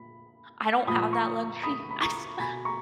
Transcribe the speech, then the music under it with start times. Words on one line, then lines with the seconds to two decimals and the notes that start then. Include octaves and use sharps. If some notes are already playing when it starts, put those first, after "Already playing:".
I I don't have that luxury. I sta
Already playing: A#2 B5
0.87 A#2 F3 B5 D#6
1.13 A#5 C#6
1.63 B5 D#6
1.91 B5
2.02 A#5 C#6
2.39 B2 G#5 B5
2.65 A#5 C#6